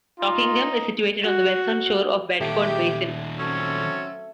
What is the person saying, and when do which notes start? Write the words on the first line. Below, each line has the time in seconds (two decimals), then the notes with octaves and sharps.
Rockingham is situated on the western shore of Bedford Basin.
0.20 D#4 F4
1.22 F#4
2.40 A#2 D#3 A3 G4
3.38 F#3 C4 C#4 A4